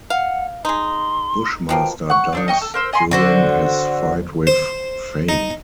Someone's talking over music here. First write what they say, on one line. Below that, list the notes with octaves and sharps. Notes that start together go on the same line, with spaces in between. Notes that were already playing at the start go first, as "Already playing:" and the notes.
Bushmaster dies during his fight with Fain.
F5 F#5
G#3 D#4 C6
B2 F3 A#3 G5
F#5 C#6
C4 D4 D#4
D#5 G5 C#6
A4
A#4 C5 E6
D#5 G#5 B5 C6
D3 F#4 C5
C5
D#4